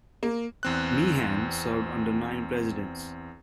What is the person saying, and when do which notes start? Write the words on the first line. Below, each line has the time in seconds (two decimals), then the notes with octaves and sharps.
Meehan served under nine presidents.
0.23 A#3
0.63 E2 C4 F#6